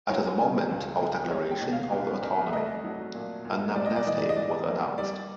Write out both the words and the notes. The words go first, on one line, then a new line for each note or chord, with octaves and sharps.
At the moment of declaration of the autonomy an amnesty was announced.
F#3 C#5
C#3
C#2
C#2
G#3 C#5
G5
B2
F5
C2
C2
E5
A3 D#5
F#3
A#2
A#2
G3 D5
D#5
D5
E3 D#5
D5
D#5
G#2 D5
A#3
G3 D5